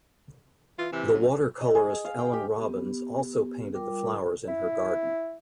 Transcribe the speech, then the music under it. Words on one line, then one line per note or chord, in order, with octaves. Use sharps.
The watercolorist Ellen Robbins also painted the flowers in her garden.
E3 F4
C3 E3
F#2
D#5
G#4
F5
G5
G4
B3 G4
G3 F4 A#4 G5 D6
E4